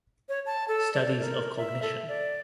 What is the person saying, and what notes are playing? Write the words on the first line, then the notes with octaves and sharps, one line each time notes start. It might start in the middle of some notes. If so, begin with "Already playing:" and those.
Studies of cognition.
C#5
A5
A4
D5
A#4
E5
A4
D5